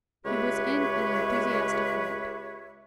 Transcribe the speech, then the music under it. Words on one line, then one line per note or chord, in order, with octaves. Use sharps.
He was in an enthusiastic mood.
C#2 G#3 G4 B4 C#5 E5